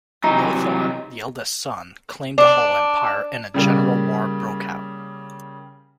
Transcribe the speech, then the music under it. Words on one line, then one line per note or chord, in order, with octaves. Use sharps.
Lothar, the eldest son, claimed the whole empire and a general war broke out.
C3 E3 F#3 D#4
D4
C#3 G3 A#3